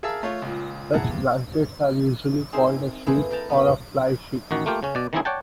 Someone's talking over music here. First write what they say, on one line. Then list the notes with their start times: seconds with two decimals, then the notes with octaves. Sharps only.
Such blankets are usually called a "sheet" or a "fly sheet".
0.03 G#4 A#4 E5 F5 A5 E6
0.23 A3 F4 C#5
0.42 C#2 A#2
0.93 E4 G#4 F#5 A5 A#5
1.10 G2
2.53 C4 D#4 G#4 A#4 C5 E5
3.06 A#3 E4 G#4 A4 B4 C5
3.31 A#4 B4 G5 A5 A#5
3.50 B3 D4 G4
4.51 A1 D#3 F#4
4.66 A3 A#3 F4 G4
4.83 C#3 C#4
4.95 B2 D5
5.13 D#3 E3 A#3 C4 E4 G#4
5.25 C#5 D5 F#5 G5 A5